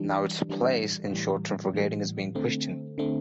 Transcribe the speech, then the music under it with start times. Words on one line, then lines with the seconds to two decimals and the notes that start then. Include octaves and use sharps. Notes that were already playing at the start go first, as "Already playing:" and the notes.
Now, its place in short term forgetting is being questioned.
Already playing: E3 G3 D4
0.49 E3 G3 D4
1.11 A2 E3 G3
1.73 A2 E3 G3
2.35 D3 A3 C4
2.98 D3 A3 C4